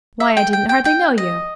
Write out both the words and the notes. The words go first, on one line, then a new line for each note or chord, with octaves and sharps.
"Why, I didn't hardly know you!"
E5
G5
G5
G5
G5
D#5